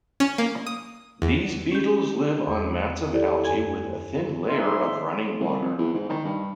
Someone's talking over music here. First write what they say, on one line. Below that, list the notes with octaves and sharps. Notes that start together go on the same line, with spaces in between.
These beetles live on mats of algae with a thin layer of running water.
C#4
A#3
D#6
E2
C#4 G4 G6
E2
E4 G4 A4 D5
F#2 G#5 G#6
G#2 D#4 E5 C6
C2
F2
E2
G#2
D#3
G2